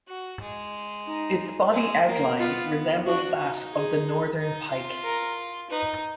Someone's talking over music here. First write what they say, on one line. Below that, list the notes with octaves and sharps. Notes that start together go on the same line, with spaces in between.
Its body outline resembles that of the northern pike.
F#4
G#3
D#4
G#3
A#3
B3 F4
D4 F#4
D#4
G#4
D#4
F4
A#4
D#4 B4